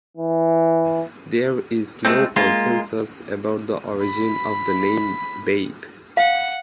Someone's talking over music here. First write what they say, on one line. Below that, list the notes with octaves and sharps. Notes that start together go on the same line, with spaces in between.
There is no consensus about the origin of the name "Babe".
E3
G#3 A3 C4
G#3 A#3 F4
B5
F5 F#5